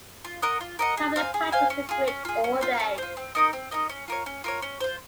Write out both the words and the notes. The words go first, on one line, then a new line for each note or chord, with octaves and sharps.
Pablo touches the grid all day.
F4
A#4 D#5 F#5
F4
A#4 D#5 F#5
G#4
C5 F5 G#5
G#4
C5 F5 G#5
C#4
F4 G#4
C#4
F4 G#4
C#4
F4 C5
C#4
F4 C5
C4
D#4 A#4 D#5
C4
D#4 A#4 D#5
C#4
F4 A#4 C#5
C#4
F4 A#4 C#5
C#4
F4 C5